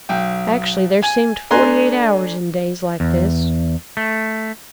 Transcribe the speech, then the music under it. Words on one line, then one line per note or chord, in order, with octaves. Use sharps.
Actually there seemed forty-eight hours in days like this.
B1 G5
G#5
A3 D4 G#5 A#5 C6 F#6
E2
A3